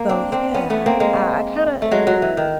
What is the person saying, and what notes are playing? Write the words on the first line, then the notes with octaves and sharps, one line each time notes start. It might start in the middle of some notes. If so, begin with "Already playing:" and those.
So, yeah, I I kinda
Already playing: A#3
C4 D4
C4 D4
B3 C#4
A3 B3
A#3 C4
G#3 A#3
A3
F#3 G#3
F#3
E3
D#3